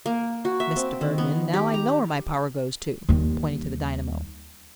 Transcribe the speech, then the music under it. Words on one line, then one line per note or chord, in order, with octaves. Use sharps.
Mr. Bergmann, now I know where my power goes to,' pointing to the dynamo.
A#3
F#4
E5
C4
D#3
B3
G4
A#5
D#2 G3